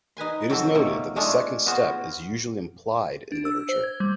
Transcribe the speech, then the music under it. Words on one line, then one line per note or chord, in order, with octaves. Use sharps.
It is noted that the second step is usually implied in literature.
D#4 B4 G#5 C6
F2 F#3 C4 A4 A5
B2 A3 A#3 F4
G#3 A3 D4 F4 G#4
B3 F4 F#4 G#4 C5
D4
E6
C5
G#6
G3